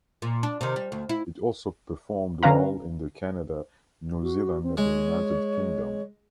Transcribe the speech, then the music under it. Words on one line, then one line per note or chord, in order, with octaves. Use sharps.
It also performed well in the Canada, New Zealand and the United Kingdom.
A#2
D4
C3 D#3
G3
D2
E4
D3 C#4 B4 F5 A#5
F#4
C4
G#3 C#5